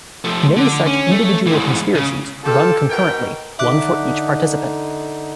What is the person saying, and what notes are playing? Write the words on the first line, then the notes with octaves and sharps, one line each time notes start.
Many such individual "conspiracies" run concurrently, one for each participant.
F3 A3
D3
C#4
A3
G#2 E3
C#3
F4 G4 A4
G#2 B2 A#4 G5
D3 D#4 E5 D6 F#6